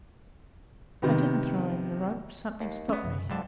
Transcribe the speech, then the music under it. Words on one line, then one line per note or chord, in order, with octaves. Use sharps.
I didn't throw him the rope; something stopped me.
C3 D#3 B3
D#2
C#3 A3 B3 C#4
A1 F#2 C3
F2 D3 F#3 G#3 A5